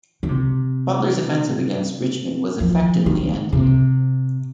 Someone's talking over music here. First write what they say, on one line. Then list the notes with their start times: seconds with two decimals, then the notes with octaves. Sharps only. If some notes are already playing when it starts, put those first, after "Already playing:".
Butler's offensive against Richmond was effectively ended.
0.23 D#3
0.29 C3
2.60 F3
3.06 D#3
3.53 C3